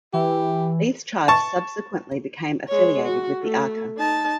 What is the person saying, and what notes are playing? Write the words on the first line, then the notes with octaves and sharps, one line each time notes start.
These tribes subsequently became affiliated with the Aka.
E3 G4
A5 C#6
G#3 C#5
F#4
A3
D#4 A5